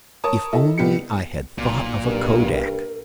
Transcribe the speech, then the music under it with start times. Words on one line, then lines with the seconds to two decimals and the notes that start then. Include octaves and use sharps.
If only I had thought of a Kodak!
0.24 A#4 C#5 A5 D#6
0.52 E4 A4 D#5
0.78 C2 B3 G4 C#7
1.58 B1 A#2
2.05 G2 A#4